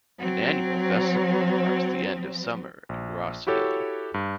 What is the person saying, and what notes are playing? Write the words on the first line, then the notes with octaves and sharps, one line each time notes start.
An annual festival marks the end of summer in Rossville.
F#3 C4
A#1
E4 F#4 G4 A4 C#5
G2